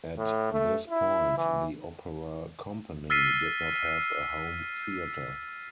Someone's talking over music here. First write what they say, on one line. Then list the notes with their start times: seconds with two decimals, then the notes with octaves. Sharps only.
At this point the opera company did not have a home theatre.
0.17 A2
0.52 A3
0.90 E4
1.37 E3
3.10 E6 F6 A6 B6 C7 D#7